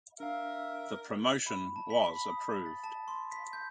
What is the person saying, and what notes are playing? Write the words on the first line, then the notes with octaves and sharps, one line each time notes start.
The promotion was approved.
D4 A#4 E5 F5
B5
A5
B6
B5
D#6
A6
A5
C6
B6
G6